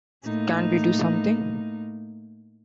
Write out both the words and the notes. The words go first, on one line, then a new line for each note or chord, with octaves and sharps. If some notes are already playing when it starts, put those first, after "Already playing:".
Can't we do something?
A2 A#3 D#4